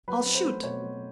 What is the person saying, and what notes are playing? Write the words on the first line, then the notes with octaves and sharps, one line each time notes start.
I'll shoot!
F#3 B4
C4
C5
A3
B2 C#5
F#3